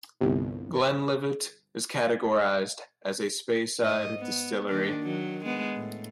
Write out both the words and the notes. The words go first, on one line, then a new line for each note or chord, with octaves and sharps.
Glenlivet is categorised as a Speyside distillery.
G1 C2
G#2 D#5
B3
D#3 A#3 D4
D#3 F#3
G#3 B3
A2